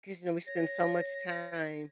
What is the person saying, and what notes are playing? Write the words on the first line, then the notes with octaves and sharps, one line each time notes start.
'cause, you know we spend so much time
C#5 A#6